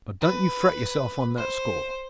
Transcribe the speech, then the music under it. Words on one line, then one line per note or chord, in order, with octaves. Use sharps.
But don't you fret yourself on that score.
B4
C5